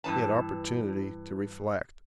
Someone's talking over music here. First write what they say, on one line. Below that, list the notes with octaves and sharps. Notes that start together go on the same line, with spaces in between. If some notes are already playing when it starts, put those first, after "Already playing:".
He had opportunity to reflect.
G2 E3 A5